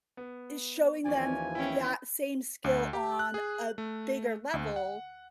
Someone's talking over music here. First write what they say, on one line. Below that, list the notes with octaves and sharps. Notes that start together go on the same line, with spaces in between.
eh, showing them that same skill on a bigger level
B3
D#2 E3 F3 C#4 D5 G#5
C#4 E4 G5
D2
G4
F#6
G#4
A3
D2
F#5